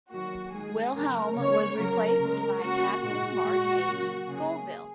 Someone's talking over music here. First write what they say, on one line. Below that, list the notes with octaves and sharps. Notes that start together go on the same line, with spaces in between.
Wilhelm was replaced by Captain Mark H. Scovill.
D#3 F#3 A#3 F#4
D#3 G#3 G#4
C#3 F#3 A#3 A#4
C#3 A#3 C#5
C#3 F#3 A#3 A#4
C#3 G#3
C#3 A#3 F#4
A#2 G#3 F#4
A#2 G#3
C#3 F#3 A#3
C#3 F#3 A#3 G#4